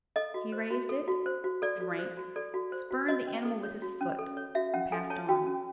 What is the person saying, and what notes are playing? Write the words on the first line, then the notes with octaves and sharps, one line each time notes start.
He raised it, drank, spurned the animal with his foot, and passed on.
A4 D#5
F#4
C5
F#4
A4
F#4
C5
F#4
A4 D5
F#4
C5
F#4
A4 D5
F#4
C5
F#4
F#4 D#5
C#4
A4
C#5
F#4
C#4
A4
C#5
F#4 E5
C#4 F#5
A4 G#5
C#5 A5
F#4 G5
C#4